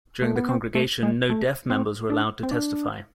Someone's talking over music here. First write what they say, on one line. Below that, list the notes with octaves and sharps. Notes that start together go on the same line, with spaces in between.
During the congregation, no Deaf members were allowed to testify.
A3
B3
C4
A3
G#3
A3
C4
D4
C4
D4